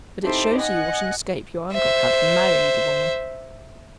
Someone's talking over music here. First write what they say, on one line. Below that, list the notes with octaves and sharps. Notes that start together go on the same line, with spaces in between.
But it shows you what an escape your uncle had from marrying the woman.
C4 D#4 E4 G4 A4 C5
D#5 F#5 G#5 F#6
C5 E5